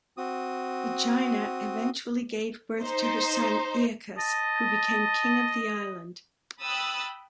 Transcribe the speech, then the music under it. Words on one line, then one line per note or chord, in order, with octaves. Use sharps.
Aegina eventually gave birth to her son Aeacus, who became king of the island.
C4 F#4 D#6
D#4 C5
D#5 A5
G5 B5 D#6 E6 F#6 A6